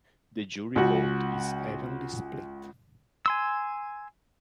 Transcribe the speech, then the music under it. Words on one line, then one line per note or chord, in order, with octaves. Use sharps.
The jury vote is evenly split.
C#2 F#4
G#5 C6 E6